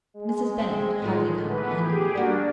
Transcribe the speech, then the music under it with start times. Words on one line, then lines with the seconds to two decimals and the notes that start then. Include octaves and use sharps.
Mrs. Bennet could hardly comprehend it.
0.14 G#3
0.60 C4
1.02 A2 D#3 F4
1.46 E3 B3 B4
1.76 G4 G#4
2.15 G3 A#3 D4 F#4